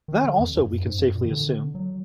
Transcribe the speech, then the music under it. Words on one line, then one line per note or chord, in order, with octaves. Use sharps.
That also we can safely assume.
D#3
D3
F2
F2
F#2
G#2
F#2
A#2
D#3
D3
F#3